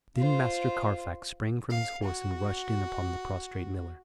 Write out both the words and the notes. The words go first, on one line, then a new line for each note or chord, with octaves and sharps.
Then Master Carfax sprang from his horse and rushed in upon the prostrate miller.
F4 C5
F5
F#4